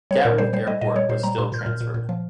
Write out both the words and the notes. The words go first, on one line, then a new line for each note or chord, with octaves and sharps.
Gatwick Airport was still transferred.
G3 C#5
A#2 A#4
G3 C5
G3 C5
G3 D#5
A#2 D#5
G3 C#5
A#2 C5
G3 A#5
A#2 C6
A#2 G6
F6
A#2
A#2
A#2
F3